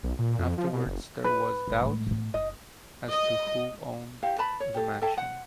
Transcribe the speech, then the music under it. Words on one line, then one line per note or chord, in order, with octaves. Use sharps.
Afterwards there was doubt as to who owned the mansion.
B1
A#2
F2
F3
B2
F#1
B4
G#1
A2 G#3
A2 B3
F#1 D#5
D#5
E4 G4 C5 F5
B4 A5 B5
C#5
G4 A4
A4 E5 G5 A5
C5 F#5